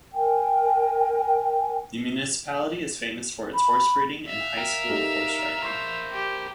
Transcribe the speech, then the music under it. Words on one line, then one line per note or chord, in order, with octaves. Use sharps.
The municipality is famous for its horse breeding and high school of horseriding.
A#4 G5 G#5
B5
E5 F5
A#4 G5
D#4 G4 A4
A#4 C5 C6 C#6 C7
G4